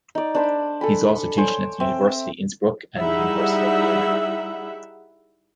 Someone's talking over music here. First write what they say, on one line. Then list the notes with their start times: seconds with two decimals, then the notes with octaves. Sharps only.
He is also teaching at the University Innsbruck and the University of Vienna.
0.15 D#4 D5
0.35 D4 C5 B5
0.81 A4 G#5 B5
1.37 C5 C#5 G#5 D6
1.80 C4 E5
2.98 G3 D#4 E4 G#4 E5 F#5